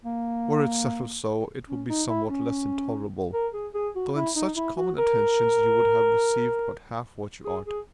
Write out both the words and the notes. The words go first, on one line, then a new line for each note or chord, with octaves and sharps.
Were it settled so, it would be somewhat less intolerable, though in such common attentions you would have received but half what you ought.
A#3
C#4
D#4
E4
C#4
A#4
G#4
G#4
F#4
E4
D#4
E4
F#4
A#4
G#4
G#4